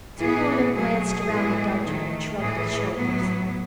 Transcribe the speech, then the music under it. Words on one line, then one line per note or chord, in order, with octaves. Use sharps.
Sir Norman glanced round the dungeon and shrugged his shoulders.
A2 E3 B3 G#4
B2 F#3 A3 G#4
A2 E3 G#3 B3
D#3 A3
A2 E3 A3 G#4
A2 F#3 B3